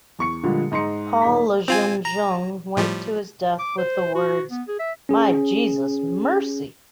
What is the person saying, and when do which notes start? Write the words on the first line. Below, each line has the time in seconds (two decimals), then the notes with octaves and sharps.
Paul Lejeune-Jung went to his death with the words My Jesus, mercy.
0.19 E2 C#6 C#7
0.43 A#2 D3 F3 G3 G#3
0.72 G#2 D#4 C6 C#7
1.22 D#1 D#4 A#5 B6
1.68 C4 F4 G#5
2.05 A#5
2.77 A2 F3 G3
3.59 D6
3.78 C5
4.15 F#4
4.51 B3
4.68 G#4
4.79 E5
5.09 C#4 G#4